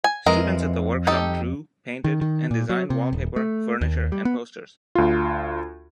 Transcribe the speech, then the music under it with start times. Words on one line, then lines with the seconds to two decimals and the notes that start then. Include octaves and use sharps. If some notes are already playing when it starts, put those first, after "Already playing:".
Students at the workshop drew, painted and designed wallpaper, furniture and posters.
0.04 G#5
0.26 F2 E3 G#3 A#4
1.07 D#4 G4 A4
2.04 D#3
2.21 D#3
2.51 A#2
2.70 F#3
2.90 C3
3.13 D#1
3.36 A3
3.81 D#2
4.12 G3
4.25 B3
4.95 D2 F4